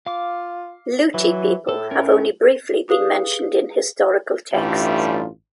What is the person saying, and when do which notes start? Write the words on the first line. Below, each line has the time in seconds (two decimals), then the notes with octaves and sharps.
Luti people have only briefly been mentioned in historical texts.
0.07 F4 F5 D6
1.14 E3 F#3
1.69 A2 A4
1.91 C#4 A#4
2.88 G4 G#4 B4 F5 D#6
4.53 A1 G2 E3 G3 A3 F4